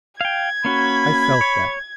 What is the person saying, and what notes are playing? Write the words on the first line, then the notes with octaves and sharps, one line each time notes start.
I felt that.
F5 G5 G#6
A#3 C#4 F#4 B5
C#5